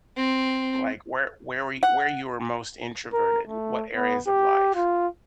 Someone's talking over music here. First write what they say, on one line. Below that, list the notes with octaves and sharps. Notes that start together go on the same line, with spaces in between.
Like, whe where you where you were most introverted, what areas of life,
C4
F#5
A#4
A3
B3
G4
F4